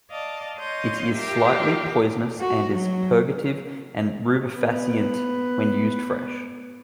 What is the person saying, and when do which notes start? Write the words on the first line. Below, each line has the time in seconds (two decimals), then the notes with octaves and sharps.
It is slightly poisonous and is purgative and rubefacient when used fresh.
0.10 D5 D#5 F5 A5
0.59 C#5 D#5 F5 C6 D#6 G6
1.15 F4 G4 A#4 E5 F5 G5
2.41 F#4
2.74 F#3
4.54 B3 B4